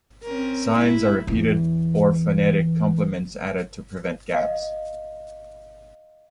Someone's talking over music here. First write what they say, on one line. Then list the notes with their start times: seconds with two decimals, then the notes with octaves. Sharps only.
Signs are repeated or phonetic complements added to prevent gaps.
0.24 C4 C#4 A#4
0.75 G#3 E4
1.27 E2 E3
4.34 D#5 F5